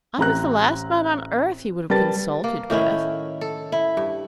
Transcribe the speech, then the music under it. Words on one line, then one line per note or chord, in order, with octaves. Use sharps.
I was the last man on earth he would have consulted with.
A1 C4 A#5 F#6
G3 A#4 B4 A5 A6
A#3
A2 D#3 C#4 E4
A4
E4
G2